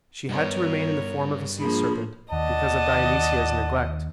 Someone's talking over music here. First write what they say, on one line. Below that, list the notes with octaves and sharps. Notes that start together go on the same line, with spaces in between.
She had to remain in the form of a sea serpent because of Dionysia's neglect.
G2 B3 A#4 C#5
F3 A#3 D4 G#4 B5
D#2 D5 D#5 F#5 A5